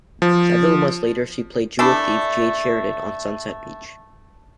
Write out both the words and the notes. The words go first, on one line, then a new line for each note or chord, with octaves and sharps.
Several months later, she played jewel thief, Jade Sheridan, on "Sunset Beach".
F3
A3 D4 E4